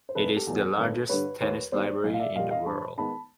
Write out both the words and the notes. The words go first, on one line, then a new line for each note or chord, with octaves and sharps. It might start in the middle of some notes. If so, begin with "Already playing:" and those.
It is the largest tennis library in the world.
C5
F1 A4 B4
G4 A4
E2 B2 F#3
G#4 A#4
G#1 A4 B4
G2 D3 G3 B4 C#5
D#2 B4 C#5
D#3 G3 B3 C5 D5
B1
F5
D5 E5
A#2 G3 D#5 F5
D#5 F5
G2 A5 B5
D#3 G#3 B3 A5 B5